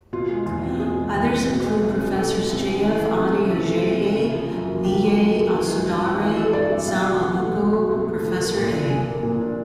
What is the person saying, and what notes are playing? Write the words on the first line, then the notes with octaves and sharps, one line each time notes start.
Others include Professors J. F. Ade Ajayi, Niyi Osundare, Sam Aluko, Professor A.
B2 F4
G#3
E2 F4
C4
B2 G#4
G#3
E2
C4
B2
G#3
C2
C#4
B2 A4
G#3
C2
C#4
E3
A3
C3
C#4
E3 A4
A3
C3
C#4
C#3
F3
F#2
A#3
C#3 G4
F3
F#2
A#3
E3
G#3
G2
G2
E3 G#4
G#3 A4
G2 D5
G2 E5
B2 F5
F#3
C2 F#5
A3
B2
F#3
C2
A3
F3
A#3
A#2
D4
F3 G#5
A#3
A#2
D4